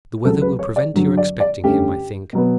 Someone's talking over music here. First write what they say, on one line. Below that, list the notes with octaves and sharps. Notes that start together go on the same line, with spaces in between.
The weather will prevent your expecting him, I think.
C#2 C#3 F#3 A4
B4
C#5
D5
G2 D3 F#3
D5
D5
G2 D3 A3 C#4 G4
B2 F#3 B3